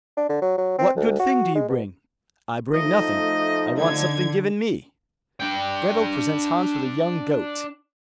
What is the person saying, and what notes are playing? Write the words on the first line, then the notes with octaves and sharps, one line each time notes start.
What good thing do you bring?' 'I bring nothing, I want something given me.' Gretel presents Hans with a young goat.
D4
D3
F#3
F#3
C4
D2
F#4
G#3
B2
F3 A3 D#4 D#5
D3 G#6
D4 G5